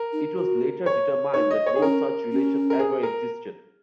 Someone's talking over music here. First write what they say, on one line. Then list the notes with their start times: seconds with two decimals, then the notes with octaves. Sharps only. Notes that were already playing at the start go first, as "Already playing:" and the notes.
It was later determined that no such relation ever existed.
Already playing: A#4
0.13 D#4
0.38 F#4
0.86 C#5
1.34 D#4 C#5
1.51 D#5
1.66 C#5
1.75 D#4 G#4
1.82 C#4 A#4
2.32 C#4
2.70 A#4
2.79 G#4
3.03 A#4